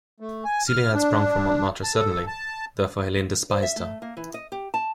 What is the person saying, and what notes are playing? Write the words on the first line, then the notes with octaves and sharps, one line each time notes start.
Celia had sprung from Montmartre suddenly; therefore Helene despised her.
A3
G#5
F6
D4
A5
A4
A5
C5
E5
A3
A#3
E3
D#5
G4
A5